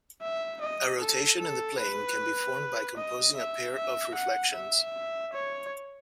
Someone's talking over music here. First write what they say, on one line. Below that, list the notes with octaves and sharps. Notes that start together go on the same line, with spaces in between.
A rotation in the plane can be formed by composing a pair of reflections.
E5
D#5
A4
A4
B4
D#5
E5
E5
F#5
E5
C#5